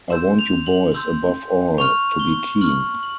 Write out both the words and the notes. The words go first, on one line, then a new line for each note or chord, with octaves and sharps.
I want you boys above all to be keen.
C6 E6 G6 E7
F7
F#7
C6 E6 G6
C#6 F6 F7
G7
C#6 F6 F#7
F#7